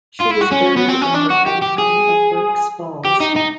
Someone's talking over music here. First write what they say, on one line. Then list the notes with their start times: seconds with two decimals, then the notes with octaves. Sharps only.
She was buried in her hometown of Burk's Falls.
0.20 F4
0.30 E4
0.41 F#4
0.52 C#4
0.77 B3
0.89 C4
1.02 C#4
1.15 D4
1.31 F#4
1.46 G4
1.62 G4
1.78 G#4
3.05 G4
3.20 D#4
3.36 D#4